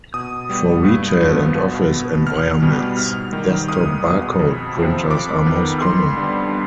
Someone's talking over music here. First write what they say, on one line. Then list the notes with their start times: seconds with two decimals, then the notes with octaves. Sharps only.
For retail and office environments, desktop barcode printers are most common.
0.14 B2 D#6
0.50 G3 B3
0.85 G2
1.20 F3 B3
1.55 B2
1.91 B3
2.27 C2 F6
2.62 B2 G3 B3
2.97 G#2 F6
3.33 D#3 G3
3.68 C2 D#6
4.03 B2 G#3
4.39 F2
4.76 C3 F3 C4
5.10 F2 D6
5.46 D#3 B3
5.82 F2 C6
6.17 D3 G3 B3